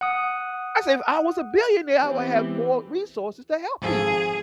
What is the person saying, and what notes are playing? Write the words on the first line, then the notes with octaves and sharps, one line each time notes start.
said, "If I was a billionaire, I would have more resources to help people.
F#5 D#6
E3 B3 C4 G4
G#1 F3 G#4 A4